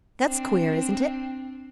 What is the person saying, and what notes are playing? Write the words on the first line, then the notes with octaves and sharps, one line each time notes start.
That's queer, isn't it?
C4 D4